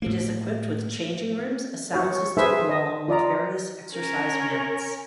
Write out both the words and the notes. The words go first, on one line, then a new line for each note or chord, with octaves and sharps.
It is equipped with changing rooms, a sound system along with various exercise mats.
A2 A#3
F#4 C#5
G#4 B4 C5 E5
D#5
F4 D5 D#5 A#5
C#4 A#4